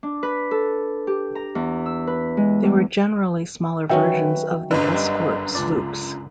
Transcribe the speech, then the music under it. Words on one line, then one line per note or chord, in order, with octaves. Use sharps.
They were generally smaller versions of the escort sloops.
D4
B4
A4
G4
A#5
E2
E6
B4
G#3
E2
D#3 F#3 C#4 F#4 B4 E5 G5
G1 F#2 D3 B4 D#5
G3 D#5
C#2 D4 F4 D5